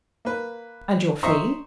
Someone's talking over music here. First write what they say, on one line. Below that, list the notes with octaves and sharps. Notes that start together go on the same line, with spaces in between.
"And your fee?"
A#3 B4
C5 D#5 E5 A#5 C6 C#6